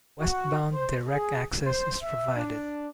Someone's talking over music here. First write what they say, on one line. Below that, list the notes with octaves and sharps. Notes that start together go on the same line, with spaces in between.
Westbound, direct access is provided.
F#4
C5
G#4
C5
E5
D4